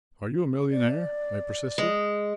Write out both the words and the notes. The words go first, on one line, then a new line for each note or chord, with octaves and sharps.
"Are you a millionaire?" I persisted.
D5
G#3